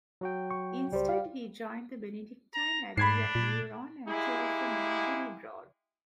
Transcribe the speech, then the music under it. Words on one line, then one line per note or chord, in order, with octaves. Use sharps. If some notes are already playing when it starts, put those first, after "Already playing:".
Instead he joined the Benedictine abbey of Beuron and chose the name Willibrord.
F#3 F#4 G5
C#6
C#2 G3 C5
F5
A#5
G#2 D4 B5 G#6 C7
A#2
G#3 A#3 E4 G4 G#4